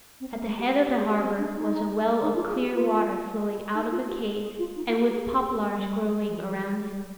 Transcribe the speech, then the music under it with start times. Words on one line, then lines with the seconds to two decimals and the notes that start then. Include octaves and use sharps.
At the head of the harbor was a well of clear water flowing out of a cave, and with poplars growing around it.
0.20 C4
0.33 A#3
0.46 G#3
0.58 G4
0.71 G4
0.84 G4
0.97 G#4
1.09 G4
1.22 C4
1.39 D4
1.55 D#4
2.23 D#4
2.35 F4
2.48 G#4
2.61 G4
2.74 F4
3.75 D#4
3.92 F4
4.08 G4
4.43 G#4
4.59 F4
4.76 D#4
4.88 F4
5.01 G4
5.14 G#4
5.27 G4
5.39 G#4
5.52 G4
5.65 A#3
5.77 G3
6.28 F3
6.45 F3
6.61 G3
6.78 G#3
6.91 G3